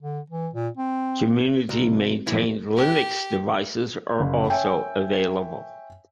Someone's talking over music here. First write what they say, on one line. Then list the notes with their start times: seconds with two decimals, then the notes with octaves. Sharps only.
Community maintained Linux devices are also available.
0.02 D3
0.30 E3
0.53 A#2
0.77 C4
1.69 C2 F#4
1.89 C4
2.27 G2 A#2 E3 F3 E4
2.77 G4
4.20 F#1
4.50 C#5 E5 G5 G#5